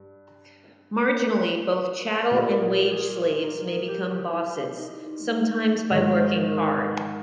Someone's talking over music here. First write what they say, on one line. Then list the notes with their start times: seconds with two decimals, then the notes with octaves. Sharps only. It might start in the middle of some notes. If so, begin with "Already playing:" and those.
Marginally, both chattel and wage slaves may become bosses; sometimes by working hard.
Already playing: G2
0.97 A#4
1.19 B4
1.42 B4
1.71 B4
2.01 B4
2.31 A#2 G3 A#3 A#4
2.61 G#4
2.91 G#4
3.21 G#4
3.43 A#4
3.66 G#4
3.88 G4
4.10 G4
4.33 E4
4.56 G4
4.77 D#4
5.90 G#2 D#3 G#3 C#4
6.12 D#4
6.34 A#4
6.57 B4
6.79 B4